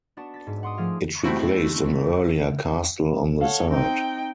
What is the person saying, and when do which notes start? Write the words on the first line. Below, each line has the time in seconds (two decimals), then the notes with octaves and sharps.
It replaced an earlier castle on the site.
0.17 B3 D4 F#4 A5
0.34 A6 B6
0.47 G#2
0.63 F#5 C6 D6 D#6
0.77 F3 A3 G#4 A#4 F5
1.24 G3 A3 C4 E4 F#4
3.41 A4 C#5 F5 F#5
3.70 C4 D#4 G5